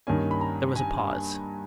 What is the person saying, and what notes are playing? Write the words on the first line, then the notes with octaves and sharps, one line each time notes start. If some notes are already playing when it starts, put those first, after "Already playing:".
There was a pause.
G2 D#3 A#3 C#4 G#5
B5
A#5
G#5